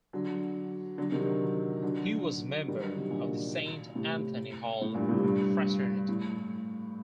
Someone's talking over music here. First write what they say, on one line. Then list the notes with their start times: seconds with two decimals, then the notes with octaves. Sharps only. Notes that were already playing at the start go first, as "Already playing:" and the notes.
He was a member of the Saint Anthony Hall fraternity.
0.13 D3 F#3
0.98 D3 F#3
1.12 C3 D#3
1.26 D3 F#3
1.83 D3 F#3
2.68 D#3 G3
2.82 D3 F#3
2.96 C3 D#3
3.10 A#2 D3
3.95 A2 C3
4.81 A2
4.94 G2 A#2
5.09 A2 C3
5.24 G2
6.09 A2